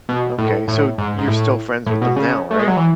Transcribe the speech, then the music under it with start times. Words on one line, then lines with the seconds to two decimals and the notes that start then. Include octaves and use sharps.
Okay, so you're still friends with them now, right?
0.09 B2
0.38 A2
0.68 A2
0.98 G#2
1.18 G#2
1.28 A2
1.86 A2
2.01 B2
2.16 C#3
2.51 A3
2.59 G#3
2.68 F#3
2.76 E3